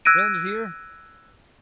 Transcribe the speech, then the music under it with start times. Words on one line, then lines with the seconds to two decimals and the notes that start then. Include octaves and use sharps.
Friends here.
0.05 E6 F#6 G#6 A#6 D7 D#7